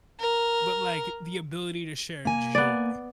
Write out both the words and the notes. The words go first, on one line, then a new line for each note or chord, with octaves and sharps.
but like, the ability to share joy.
A#4
A#3 G#5
B3 D5